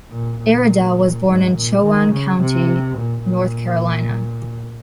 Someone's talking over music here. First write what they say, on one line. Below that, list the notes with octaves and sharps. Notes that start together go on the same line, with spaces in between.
Iredell was born in Chowan County, North Carolina.
A#2
A#2
G#2
A#2
D#3
C#3
C3
A#2
A#2